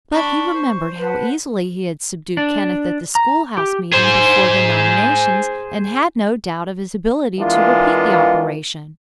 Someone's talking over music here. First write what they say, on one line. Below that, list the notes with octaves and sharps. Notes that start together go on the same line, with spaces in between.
But he remembered how easily he had subdued Kenneth at the school-house meeting before the nominations, and had no doubt of his ability to repeat the operation.
D4 B5 C#6
C5
B4 F#5 A5
D4
A#5
G4
G#4 C5
E3 G#3 A#3 B3 D4 F4